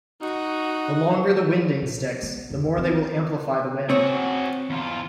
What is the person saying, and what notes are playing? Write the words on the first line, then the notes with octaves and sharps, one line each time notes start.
The longer the winding sticks, the more they will amplify the wind.
D#4 F#4
A#2
B3
E2
B3 C4
C4 F#4 G#4 C#5
E2 F4